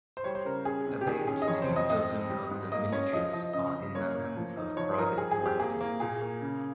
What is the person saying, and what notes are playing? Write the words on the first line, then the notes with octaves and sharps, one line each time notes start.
About two dozen of the miniatures are in the hands of private collectors.
C5
G3 C#5
C5
C#3 A#4
C#4 G#4
C3
G4
D#3 G#4
C#4 G#4
D#5
F2 C#5
C5
F2
D#5
C4 D#5
C4
G3
G#2
A#3 D#5
C#4 C#5
F3 D#5
F3 D#5
C#3 D#5
C#3
A#3 C#5
A#3
F3
D#4
F3 C#5
F3 A#4
G3 G#4
G#4
C4
G4
A#3 G#4
A#3
A#2 G#4
A#3
C#3